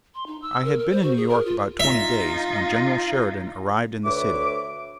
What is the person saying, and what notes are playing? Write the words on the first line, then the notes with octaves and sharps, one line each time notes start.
I had been in New York about twenty days when General Sheridan arrived in the city.
C6
D#4
E6
A#4
A#4
C5
F#4
G#4
A#4
F4
D#4 F4 E5
D2 B4 C#5 E5 D6